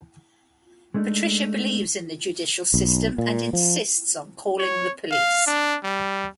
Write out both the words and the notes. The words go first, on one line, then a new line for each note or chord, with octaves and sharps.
Patricia believes in the judicial system and insists on calling the police.
G#3 A3 D4 D#4
B1
A#2
F3
C#5
F5
D4
G3